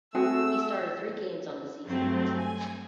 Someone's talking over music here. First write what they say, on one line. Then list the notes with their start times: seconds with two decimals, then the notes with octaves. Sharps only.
He started three games on the season.
0.15 A3 C4 F#4 G#4 G#5 E6
1.87 G2 F#3 A3 C4
2.36 G#5